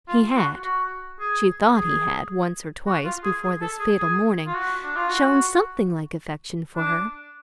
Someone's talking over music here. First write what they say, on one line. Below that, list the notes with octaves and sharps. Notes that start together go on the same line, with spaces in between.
He had--she thought he had, once or twice before this fatal morning, shown something like affection for her.
F4
F#4
F#4
G#4
G#4
F#4
F4
G#4
G#4
A4
G#4
G#4
F4
F#4
D4
F4
F#4
D4